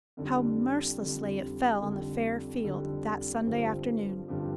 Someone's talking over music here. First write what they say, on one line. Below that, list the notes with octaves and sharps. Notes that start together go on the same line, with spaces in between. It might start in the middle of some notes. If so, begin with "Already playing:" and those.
How mercilessly it fell on the Fair-field that Sunday afternoon!
F2 D3 G3
F2 D3 G3
F2 D3 G3
F2 D3 G3
G1 G2 F3 C4 G4
G1 G2 F3 C4 G4